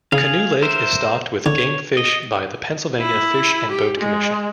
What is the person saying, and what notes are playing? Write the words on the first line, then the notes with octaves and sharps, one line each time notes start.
Canoe Lake is stocked with game fish by the Pennsylvania Fish and Boat Commission.
C#3 G#4 F5
A#4 C5 E5
D3 C#5
D#5
E4
G4
G#3